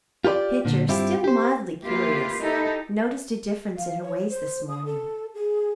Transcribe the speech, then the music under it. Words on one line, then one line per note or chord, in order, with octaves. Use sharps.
Pitcher, still mildly curious, noticed a difference in her ways this morning.
F4 G4 B4 D5
A#2 D3
G2 C4 E4 F4 G4
G4 C5
A#3 E4 F4 G4 B4
D#4 E4 G4 A4
F5
C#5
C5
D#6
A4
G#4